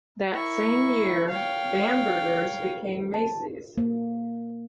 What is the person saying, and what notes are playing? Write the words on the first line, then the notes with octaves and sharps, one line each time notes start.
That same year, Bamberger's became Macy's.
E4 A#4 C#6
C#5 F5 G5
A5
A#3